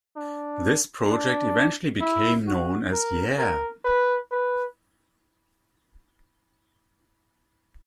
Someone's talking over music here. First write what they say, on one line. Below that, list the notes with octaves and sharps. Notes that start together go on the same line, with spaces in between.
This project eventually became known as Yeah!
D4
D4
E4
F#4
A#4
A#4
B4
B4